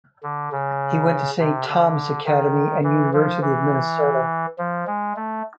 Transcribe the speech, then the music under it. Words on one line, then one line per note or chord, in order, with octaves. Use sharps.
He went to Saint Thomas Academy and University of Minnesota.
D3
C#3
C3
D3
D#3
E3
F3
E3
F3
G#3
A3